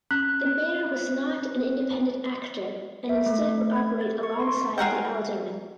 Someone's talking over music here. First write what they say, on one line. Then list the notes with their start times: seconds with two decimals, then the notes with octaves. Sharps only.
The Mayor was not an independent actor and instead would operate alongside the Alderman.
0.11 C#4 F#6
3.09 E5
3.26 A3
3.45 A3
3.76 G#6
4.01 A6
4.23 C#6
4.40 C6
4.78 G#4 A#4 F#5 G5